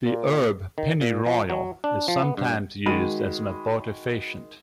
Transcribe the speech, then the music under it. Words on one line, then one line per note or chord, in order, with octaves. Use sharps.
The herb pennyroyal is sometimes used as an abortifacient.
A#2
D#3
A#2
F3
F#3
D4
F3
B3
G2
D#3 G#3 F#4 B5 D#7